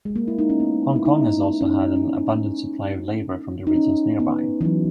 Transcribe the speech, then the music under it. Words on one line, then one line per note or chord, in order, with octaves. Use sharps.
Hong Kong has also had an abundant supply of labour from the regions nearby.
G#3
A#3
E4
D#4
C#4
B3
E4
D#4
C#4
D#4
C#4
D#4
C#4
B3
E3
F#3